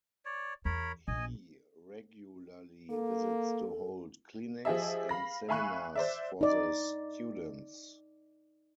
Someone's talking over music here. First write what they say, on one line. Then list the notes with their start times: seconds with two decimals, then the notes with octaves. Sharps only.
He regularly visits to hold clinics and seminars for the students.
0.25 C#5 D5
0.65 E2 A#4 C#5 B5
1.08 A#1 D#5 G#5
2.90 A#3 A4
4.65 F3 G4 G#4 D#5 E5
5.09 F5 B5 A#6
5.49 E5 F5 G#5 B5 C#6 F#6
5.95 C5 D5 E5
6.41 D#4 D5